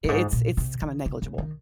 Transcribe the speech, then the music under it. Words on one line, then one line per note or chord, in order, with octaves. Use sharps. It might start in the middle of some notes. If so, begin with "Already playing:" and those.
i it's it's kinda negligible.
G2
G#2
A#2
C3
D#3
C#3
C#3
D#3